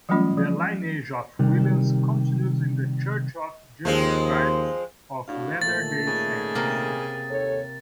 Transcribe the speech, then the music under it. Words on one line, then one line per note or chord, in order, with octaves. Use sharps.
The lineage of Williams continues in The Church of Jesus Christ of Latter-day Saints.
E3 F#3 G3 A3 C#4 F4
F3
C3 D#3 G3
D#2 F3 G#3 C4
A2 D4 F#4 F5
A#2 D#3 A3 A6
C#3 G#4
C3 A#3 A#4
D#2 A4 C#5